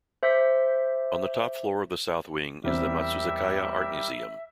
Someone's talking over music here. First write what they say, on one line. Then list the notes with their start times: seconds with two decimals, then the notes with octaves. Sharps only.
On the top floor of the south wing is the Matsuzakaya Art Museum.
0.23 C5 E5 D6 G6 B6
2.64 E2 G3 C4 G4 A#4 E5